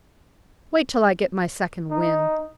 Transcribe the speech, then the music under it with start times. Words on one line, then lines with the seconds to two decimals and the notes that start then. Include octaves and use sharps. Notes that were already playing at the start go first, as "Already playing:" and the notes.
"Wait till I get my second wind."
1.91 D#4